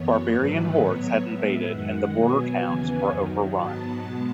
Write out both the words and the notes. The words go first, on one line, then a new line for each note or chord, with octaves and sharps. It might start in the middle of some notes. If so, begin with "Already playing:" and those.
Barbarian hordes had invaded and the border towns were overrun.
Already playing: F#2 E3 B3 C#5
G#2 D#3 F#3 A3 B4
A2 F#3 B3 C#5
A2 G#3 B3 E5
F#2 D#3 G#3 F#5
B2 F#3 B3 G#5
D#2 C#3 E3 B3
F#2 D#3 F#3
G#2 F#3 B3 A5
B2 G#3 B3